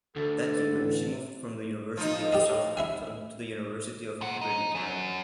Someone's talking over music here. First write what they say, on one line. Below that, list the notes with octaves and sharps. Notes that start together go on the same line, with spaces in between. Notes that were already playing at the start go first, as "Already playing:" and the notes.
That year she moved from the University of Southampton to the University of Birmingham.
D2 D3 A4
A1
F3 D#4
G4 A4 D#5
E4 E5 G#5
A#2 F#5
D#4
F#2 F#3